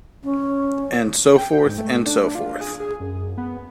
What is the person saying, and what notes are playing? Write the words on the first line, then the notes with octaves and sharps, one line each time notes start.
And so forth and so forth.
C#4
G5
G#2
A3
D4
F4
G#4
G#4
F#2
B3